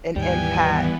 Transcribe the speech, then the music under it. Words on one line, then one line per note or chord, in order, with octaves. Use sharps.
an impact
D#2 G#2 D#3 E3 G3 B3 G5 G#5